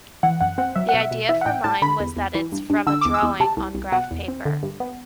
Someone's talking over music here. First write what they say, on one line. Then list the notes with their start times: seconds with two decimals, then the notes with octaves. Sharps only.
The idea for mine was that it's from a drawing on graph paper.
0.23 E3 F#5
0.41 F#2 F#5
0.58 C4 F#5
0.76 F#3 E5
0.89 B2 F#5
1.01 E5
1.11 B2
1.29 E3 E5
1.41 F#5
1.46 A2 G5
1.64 A2 A5
1.82 D3 B5
2.00 E2
2.16 E2
2.35 E3
2.52 G2
2.70 G2
2.87 D3 E6
3.01 E2 D6
3.14 E6
3.23 E2
3.40 C3 A5
3.57 C2
3.75 C2
3.92 B2 F#5
4.11 E2
4.28 C4
4.45 D3
4.63 G2
4.80 B3